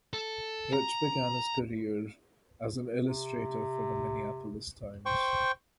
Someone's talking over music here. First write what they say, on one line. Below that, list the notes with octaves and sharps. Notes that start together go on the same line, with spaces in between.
Rich began his career as an illustrator for the "Minneapolis Times".
A4
A#5
C3
C5 G5 C#6